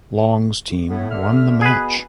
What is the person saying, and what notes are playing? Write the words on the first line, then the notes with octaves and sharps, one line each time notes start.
Long's team won the match.
A2 B3
D3 E5 F6
B2 B3 G#4 B4